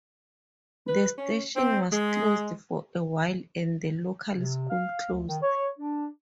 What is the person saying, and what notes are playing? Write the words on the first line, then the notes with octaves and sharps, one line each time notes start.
The station was closed for a while and the local school closed.
B4
C#4
C4
G#3
C3
F5
D2
D#3
C#5
D4